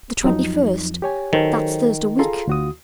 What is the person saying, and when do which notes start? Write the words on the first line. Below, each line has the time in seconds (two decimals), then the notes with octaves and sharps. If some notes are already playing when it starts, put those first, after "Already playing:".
'The twenty-first--that's Thursday week.
0.24 F2 F#3 D#4
1.02 G4 C#5 G#5
1.33 D#3 F#3 A4 C5
2.19 F4 G#4 A4 A#5
2.47 D2 F#4 D#6